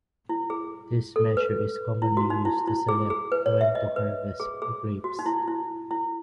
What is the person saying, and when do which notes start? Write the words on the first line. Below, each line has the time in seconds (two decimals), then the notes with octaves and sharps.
This measure is commonly used to select when to harvest grapes.
0.29 E4
0.50 G#4
1.16 A4
1.37 B4
2.02 E4
2.17 F#4
2.30 D#4
2.45 E4
2.67 E4
2.89 G#4
3.10 G#4
3.32 B4
3.46 C#5
3.61 E5
3.75 D#5
3.96 B4
4.40 G#4
4.62 G#4
5.04 F#4
5.19 D#4
5.26 E4
5.48 E4
5.91 E4